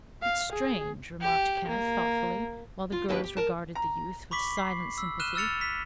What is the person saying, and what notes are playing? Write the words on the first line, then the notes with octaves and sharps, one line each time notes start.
"It's strange," remarked Kenneth, thoughtfully, while the girls regarded the youth with silent sympathy.
F5
G#4
G4
A#3
F4
D#3 A#3 B3 D4 G4 B4
G4
A#4 A5
A#5
B5 C#6 D6 B6 F#7
C7
E6
F6 F#6 D#7 E7 G7
E6 F6 A6 C#7 F7
B6